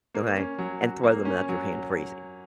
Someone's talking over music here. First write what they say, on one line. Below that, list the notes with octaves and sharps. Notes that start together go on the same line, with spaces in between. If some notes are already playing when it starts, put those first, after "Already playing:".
Okay? And throw them without your hand freezing.
A#3
C#4
F#3
F#4
A#3
C#4
F#3